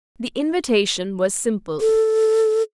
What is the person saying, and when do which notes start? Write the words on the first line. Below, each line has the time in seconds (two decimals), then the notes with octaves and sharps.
The invitation was simple.
1.81 A4